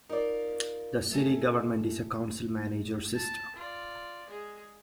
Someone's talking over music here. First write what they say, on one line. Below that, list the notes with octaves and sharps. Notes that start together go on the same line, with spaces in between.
The city government is a council-manager system.
D#4 F4 A#4 D5
A3 A4 G#5
A5
F4 D5
G#3 G#4